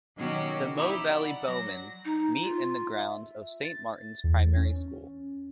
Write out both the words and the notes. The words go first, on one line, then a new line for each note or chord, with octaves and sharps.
The Mole Valley Bowmen meet in the grounds of Saint Martin's primary school.
B2 D#3 F#3 C#4 F#4 G4
D#4 E4 G4
D5 F#5
F#3 A#6
D#4
F4
E5
A6
E2
C#4